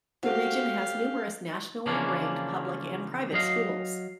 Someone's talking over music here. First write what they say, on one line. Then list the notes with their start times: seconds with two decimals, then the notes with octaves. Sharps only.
The region has numerous nationally ranked public and private schools.
0.23 F#4 G4 A4 C5 F5
1.86 C#3 E3 F3 A#3 C#4 D4
3.33 F#3 D#5 F5